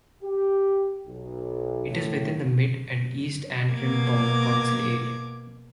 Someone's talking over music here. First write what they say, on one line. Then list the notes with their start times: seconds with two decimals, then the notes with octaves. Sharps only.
It is within the Mid and East Antrim Bourgh council area.
0.23 G4
1.06 B1
1.91 A2
3.73 B2 A#3 D6 G#6